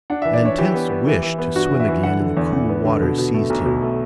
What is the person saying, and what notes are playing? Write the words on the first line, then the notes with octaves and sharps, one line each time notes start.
An intense wish to swim again in the cool waters seized him.
D4 F#5
E3 E5
D5
D4 C#5
E3 G4
B3
B3
E3
E3
B3
G2 F#4
E3
E5
E3
D3 F#5
D3
E2
E2
B3
D3
B2
B2
A3
B1
B2
A3